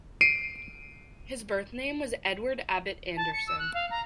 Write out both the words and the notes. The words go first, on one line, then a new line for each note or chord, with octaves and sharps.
His birth name was Edward Abbot-Anderson.
C7 D7 D#7
A5
C#7
E6
F#6
F5
A#5